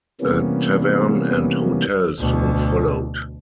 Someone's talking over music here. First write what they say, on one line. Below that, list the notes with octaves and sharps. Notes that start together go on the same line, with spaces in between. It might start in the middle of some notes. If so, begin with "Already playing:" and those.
A tavern and hotel soon followed.
C3 E3 G3 A#3 B3 C#4
D2 B2